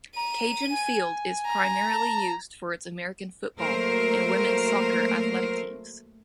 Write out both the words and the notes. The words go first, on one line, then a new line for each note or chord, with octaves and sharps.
Cajun Field is primarily used for its American football and women's soccer athletic teams.
A#5 D#7
G#5
A#5
A5
F#3 A3 A#3 A#4 C5